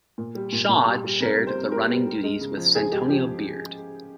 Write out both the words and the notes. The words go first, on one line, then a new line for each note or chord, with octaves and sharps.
Shaud shared the running duties with Santonio Beard.
A#2
G3
A#2
A#2
G3
G3
C3 A#4
G3
C5
C3
G3 A#4
G3
G3
G#3
C#3
F3
F3 G#4
G#3 G4
F3 G4